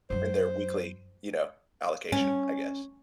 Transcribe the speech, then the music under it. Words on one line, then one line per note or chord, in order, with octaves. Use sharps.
In their weekly, you know, allocation, I guess.
F#2 F#3 C5
C#4